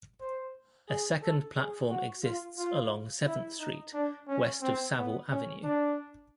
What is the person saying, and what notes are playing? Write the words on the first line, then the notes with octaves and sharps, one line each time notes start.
A second platform exists along Seventh Street west of Saville Avenue.
C5
G#4
A4
G#4
F#4
F4
F4
E4
D#4
D4
C#4
C4
B3
C#4
D4